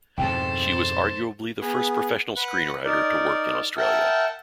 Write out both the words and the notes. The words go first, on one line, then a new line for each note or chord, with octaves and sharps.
She was arguably the first professional screenwriter to work in Australia.
F2 G#2 B2 E4 A4 C5 G5
B3 G#4
B4 F#5
D#4 A#4 D5
A#4 E5 F#5 G5 A5